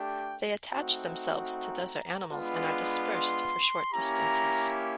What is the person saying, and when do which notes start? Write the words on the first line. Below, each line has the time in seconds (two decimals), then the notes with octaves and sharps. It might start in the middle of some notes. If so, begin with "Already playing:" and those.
They attach themselves to desert animals and are dispersed for short distances.
Already playing: A3 D4 G4 G5
0.72 A3 C4 D#4 F#4
1.52 A#5
2.32 G#3 B3 D4 F4 B5
3.13 C6
3.93 A#3 C#4 E4 G4 A#5